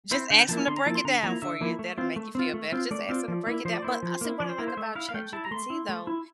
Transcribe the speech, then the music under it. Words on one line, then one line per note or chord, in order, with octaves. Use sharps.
just ask 'em to break it down for you. That'll make you feel better. Just ask 'em to break it down. But, uh, see, what I like about ChatGPT, though,
C4 E4 C5
D3 G5
F3 A#3 E4 A5
D3 C6
A#5
F3 A#3 E4 A5
C6
D3 A#5
F3 A#3 E4 A#5
D3 E5
F3 A#3 E4
A3
C4 F4
A3
C4 F4
A3
C4 F4
A3 D5
C4 F4
F3
A#3 E4
F3 C5
D5
A#3 E4 C5
F3
A#3 E4
F3 D5
C5
A#3 E4 A#4
C5
A3 E5
E4 F5
F5
A3 G5
E4 A5
A#5
A3 C6
E4
A3
E4